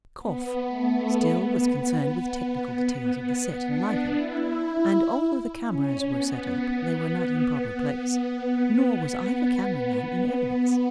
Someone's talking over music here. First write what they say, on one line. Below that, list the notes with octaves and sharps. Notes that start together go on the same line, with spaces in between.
Kauf still was concerned with technical details of the set and lighting, and, although the cameras were set up, they were not in proper place, nor was either camera man in evidence.
B3
A3
B3
B3
B3
B3
D4
E4
C#4
B3